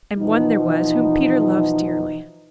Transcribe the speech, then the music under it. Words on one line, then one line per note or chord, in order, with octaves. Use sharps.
And one there was whom Peter loves dearly.
B2 E3 F3 D#4